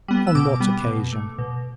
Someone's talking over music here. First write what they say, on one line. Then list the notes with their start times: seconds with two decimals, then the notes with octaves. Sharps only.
"On what occasion?"
0.08 G3 B3
0.27 E6
0.35 B2 D6
0.60 G3 B3
0.86 B2
1.12 A3
1.38 B2